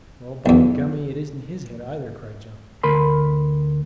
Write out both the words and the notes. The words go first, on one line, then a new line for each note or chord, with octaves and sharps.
"Well, by gummy, it isn't his head either!" cried John.
B1 E2
D2 A#4 B5 C6